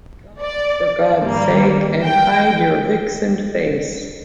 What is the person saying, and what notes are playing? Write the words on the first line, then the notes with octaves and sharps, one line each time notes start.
Begone, for God’s sake, and hide your vixen face!
D5
G#2 D#3 G3 A#3
G5